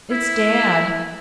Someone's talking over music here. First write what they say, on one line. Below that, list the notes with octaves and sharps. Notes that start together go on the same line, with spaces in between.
It's dad.
E4